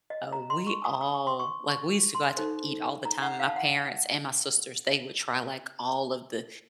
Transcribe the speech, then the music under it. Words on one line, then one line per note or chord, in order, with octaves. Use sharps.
uh, we all, like, we used to go out to eat all the time, and my parents and my sisters, they would try, like, all of the
D#5
A#5
C6
C#6
D#6
D#6
C#6
C6
C#6
C#6
C6
D#4 A4 C5
A#5
F#5
F5
A5
F#5